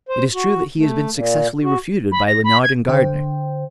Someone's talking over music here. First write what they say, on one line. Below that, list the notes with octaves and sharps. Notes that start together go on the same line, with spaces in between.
It is true that he has been successfully refuted by Lingard and Gairdner.
C5
F#4
A3
A#2
F#4
B5
A#6
B5
G#6
D3 C5 G5